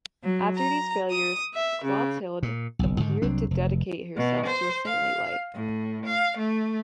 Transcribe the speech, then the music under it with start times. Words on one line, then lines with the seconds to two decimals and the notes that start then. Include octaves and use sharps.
After these failures, Clotilde appeared to dedicate herself to a saintly life.
0.22 F#3
0.56 A#5
1.10 D#6
1.53 E5
1.84 C#3
2.43 A#2
2.79 F#1 B1
3.00 G#2 D3 D#3
3.22 C2 F#3 C4 D4
3.51 F1
4.17 B2
4.46 C5
4.85 F5
5.54 A2
6.06 F5
6.38 A3